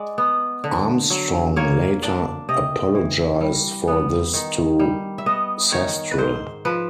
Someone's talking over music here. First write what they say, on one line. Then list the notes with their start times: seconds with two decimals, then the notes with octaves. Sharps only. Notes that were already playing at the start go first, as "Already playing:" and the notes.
Armstrong later apologized for this to Sastre.
Already playing: G#3 D5
0.18 B3
0.64 D3
1.10 F#3
1.56 A#3 C#5
2.02 D4 D5
2.49 C3 D#5
2.95 E3
3.41 G3
3.88 B3
4.34 D#3
4.79 G3
5.18 E5
5.26 B3 D#5
5.72 D#3 C#5
6.11 B4
6.18 G#2 C5
6.65 F3 B4